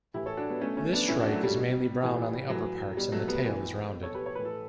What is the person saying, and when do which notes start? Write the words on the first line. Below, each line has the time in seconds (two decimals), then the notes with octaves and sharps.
This shrike is mainly brown on the upper parts and the tail is rounded.
0.14 A2 E3 E4 G4
0.26 A4 C#5
0.37 D4 F#4
0.50 G3 B3
0.61 B2 A3 C#4
0.77 A3 C#4
0.93 B3 D4
1.08 A2 E3 C#4 E4
1.20 D4 F#4
1.32 F#3 A3
1.43 G3
1.55 B2
2.03 A2 E3
2.49 A2 E3 F#3
2.97 B2 G3
3.12 F#3 A3
3.28 G3 B3
3.45 A2 E3
3.91 B2
4.02 A4 C#5
4.15 G4 B4
4.26 C#5
4.35 A2 E3 B4
4.45 A4